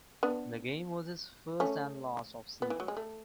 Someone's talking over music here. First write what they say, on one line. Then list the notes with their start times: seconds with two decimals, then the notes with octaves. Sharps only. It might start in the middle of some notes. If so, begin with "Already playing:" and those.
The game was his first and last of season.
0.23 B3 D4
1.60 A3 C#4
2.62 B3
2.70 E3
2.80 F#3
2.88 G#3
2.97 A3